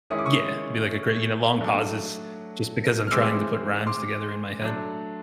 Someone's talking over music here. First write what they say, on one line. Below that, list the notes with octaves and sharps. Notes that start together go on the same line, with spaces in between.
Yeah, be like a great you know, long pauses just because I'm trying to put rhymes together in my head.
D#3 G#3 C#4 E4 D#6
D6
C#6 D#6
F#3 A3 D4
F6
E3 G#3 C4 D6 E6
C6 D6
F#3 A3 D4